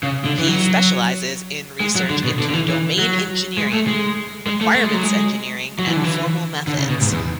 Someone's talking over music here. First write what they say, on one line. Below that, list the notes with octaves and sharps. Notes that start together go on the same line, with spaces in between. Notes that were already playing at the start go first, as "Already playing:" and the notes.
He specializes in research into domain engineering, requirements engineering and formal methods.
C#3
D3
E3
F#3
G#3
F#3
D3
B2
D3
D3
E3
E3
F#3
G#3
A3
G#3
G#3
A3
A3
G#3
F#3
G#3
F#3
E3
D3
E3
D3
C#3
B2
G#2
E2